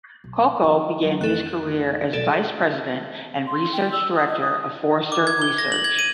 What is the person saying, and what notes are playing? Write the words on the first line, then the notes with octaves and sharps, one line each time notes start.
Kolko began his career as vice president and research director of Forrester Research.
B1
F3
F#3 A#3
F2 A3 A4 F#6
B1 G2 A4 D5
C6
G5
E6
D#6
D#5
D#6
D6
G#6
G7
A#6
F#7
G#6
D#7